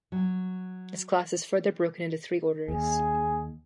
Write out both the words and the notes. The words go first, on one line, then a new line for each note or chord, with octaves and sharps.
This class is further broken into three orders.
F#3
D#2 G#4